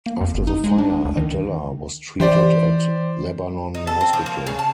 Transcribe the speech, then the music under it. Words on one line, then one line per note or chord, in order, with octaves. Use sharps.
After the fire, Adella was treated at Lebanon Hospital.
A#3
F2
G1
D#4
G#3
D4
D2
D#3
E3 G4 C5 D5
D#4
A4
C4
F3
A#3
C#3
A5